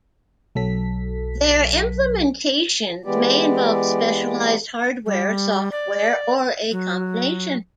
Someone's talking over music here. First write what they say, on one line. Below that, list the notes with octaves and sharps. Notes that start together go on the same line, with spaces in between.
Their implementations may involve specialized hardware, software, or a combination.
B1 F#3 A4 B6
E3 G#3 B3 G4 D5
G3
D5
F#3